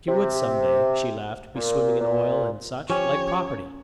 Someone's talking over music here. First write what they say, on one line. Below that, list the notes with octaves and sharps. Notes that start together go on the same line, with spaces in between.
She would some day, she laughed, be swimming in oil and such like property.
C3
A#2
A#2
F3 C#4 G4 C#5